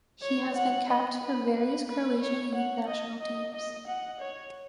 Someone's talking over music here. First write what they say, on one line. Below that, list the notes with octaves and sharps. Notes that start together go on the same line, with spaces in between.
He has been capped for various Croatian youth national teams.
C#5
F#5
D#5
B4
B4
B4
C#5
F#5
D#5
D#5
D#5
F#5
C#5